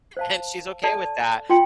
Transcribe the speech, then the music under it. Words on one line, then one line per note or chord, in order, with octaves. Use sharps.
and she's okay with that,
C5 F5 A5
A4 D5 A5
F4 G5 C6